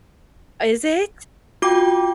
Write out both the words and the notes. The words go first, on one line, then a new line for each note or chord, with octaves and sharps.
Is it?
F4 F#4 G5 D6